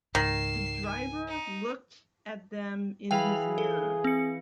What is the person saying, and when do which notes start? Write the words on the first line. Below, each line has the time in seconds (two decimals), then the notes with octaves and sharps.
The driver looked at them in his mirror.
0.15 C#2 G#2 D#3 C7 E7
0.86 G#5
1.28 D#4
3.11 E3 G#4 F5 G5 B5 F7
3.58 A4
4.04 C4 C#7